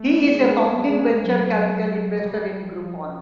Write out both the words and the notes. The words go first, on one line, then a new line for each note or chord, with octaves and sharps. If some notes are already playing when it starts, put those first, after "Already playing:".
He is a founding Venture Capital Investor in Groupon.
Already playing: A3
G#3
G#3
F#3
G3
F3